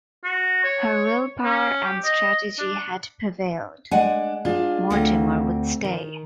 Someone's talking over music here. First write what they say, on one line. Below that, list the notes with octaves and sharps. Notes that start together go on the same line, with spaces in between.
Her will-power and strategy had prevailed; Mortimer would stay.
F#4
C#5
C#4
G4
D#5
D4
G#3 D4 F#5 G#5
D4 F4 G#4
D2 C4
D#3